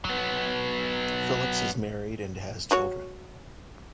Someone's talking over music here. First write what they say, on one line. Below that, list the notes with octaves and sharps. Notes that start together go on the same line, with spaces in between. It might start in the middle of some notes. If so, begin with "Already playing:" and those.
Phillips is married and has children.
F#3 B3
F#3 F#4 C#5